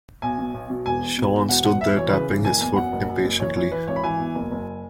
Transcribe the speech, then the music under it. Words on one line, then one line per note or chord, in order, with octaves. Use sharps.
Sean stood there tapping his foot impatiently.
B1 G#5
B2
B1
B2
E1 G#5
E2
B2
E2
E1 F#5
E1 F#5
E1 E5
E3 C#5
C#3 B4
E3
F#1 G#5
E2 G#5
F#2 F#5
F#1
F#2
F#1
E3 C#5
E3 C#5
E3 B4
G#1 C#5
B5
E3 G#5
E2
F#1
F#1